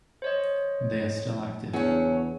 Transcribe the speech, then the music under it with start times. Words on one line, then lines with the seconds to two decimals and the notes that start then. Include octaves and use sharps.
They are still active.
0.22 C5 C#5 D#5
1.73 E2 C#3 C#4 D4 F#5 G#5